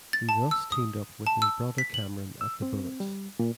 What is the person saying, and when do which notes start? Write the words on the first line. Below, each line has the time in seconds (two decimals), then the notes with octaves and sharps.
He thus teamed up with his brother Cameron at the Bullets.
0.13 A6
0.29 A5
0.51 E6
0.72 D#6
1.27 A5
1.42 E6
1.78 B6
1.94 F#7
2.41 E6
2.62 C4
3.00 G3
3.39 A#2